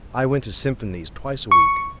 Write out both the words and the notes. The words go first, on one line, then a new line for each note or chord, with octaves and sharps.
I went to symphonies twice a week.
C#6